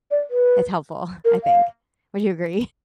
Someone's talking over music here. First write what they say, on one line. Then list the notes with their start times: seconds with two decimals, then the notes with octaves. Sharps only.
it's helpful, I think. Would you agree?
0.11 D5
0.30 B4
1.25 A#4
1.44 F5